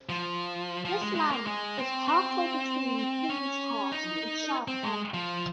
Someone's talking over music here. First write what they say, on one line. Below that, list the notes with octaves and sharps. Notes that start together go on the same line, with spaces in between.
This land was halfway between Kingshurst and Shard End.
F3
F3
G#3
G#3
A#3
G#3
C4
C4
C#4
D#4
C4
G#3
F3